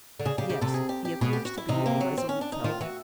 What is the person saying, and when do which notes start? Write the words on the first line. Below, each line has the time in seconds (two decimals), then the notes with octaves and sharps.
"Yes; he appears to be a resolute fellow."
0.19 D3
0.25 C#3 G#4
0.38 C#3 G4
0.49 C#3 G4
0.61 C3 A4
0.74 G#4
0.89 G4
1.05 G4
1.21 B2 G#4
1.33 G4
1.45 F#4
1.58 E4
1.69 C3 D#4
1.86 A#3
2.01 F#3
2.17 C4
2.29 C#4
2.41 D4
2.52 D#4
2.64 D#3 F4
2.81 E3 F#4